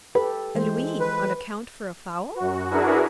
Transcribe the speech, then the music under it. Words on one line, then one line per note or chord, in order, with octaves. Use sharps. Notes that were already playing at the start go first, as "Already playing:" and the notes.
"A louis on account for a fowl?"
G4 A4 B4
E3 G#3 C5
B4
F#2 F#4
D4 E4 F#4 G#4 A#4 B4